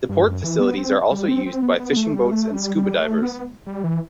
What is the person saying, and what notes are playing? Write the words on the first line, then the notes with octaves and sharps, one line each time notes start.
The port facilities are also used by fishing boats and scuba divers.
G2
F#2
E3
B3
C4
G3
C4
C4
B3
B3
B3
A3
G3
A3
G3
G3
A3
B3
G3
E3